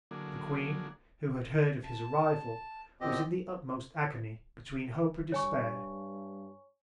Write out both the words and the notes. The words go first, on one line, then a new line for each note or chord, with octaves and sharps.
The Queen, who had heard of his Arrival, was in the utmost Agony, between Hope and Despair.
D3 F#3 A#3 D4 G#4
A5
E2 A#2 C4 G4 D#5
G2 C#5 G#5 C#6